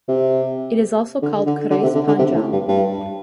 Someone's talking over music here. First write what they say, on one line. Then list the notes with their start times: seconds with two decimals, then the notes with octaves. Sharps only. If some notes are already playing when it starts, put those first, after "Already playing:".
It is also called keris panjang.
0.08 C3
1.22 D3
1.46 D3
1.70 D3
1.83 C3
1.95 D3
2.08 D3
2.19 C3
2.35 A2
2.52 G2
2.68 G2